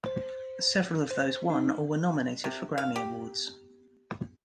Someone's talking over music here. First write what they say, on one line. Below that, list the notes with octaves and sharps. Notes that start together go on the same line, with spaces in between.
Several of those won or were nominated for Grammy Awards.
C5
C5
D#4
C3
F5
G4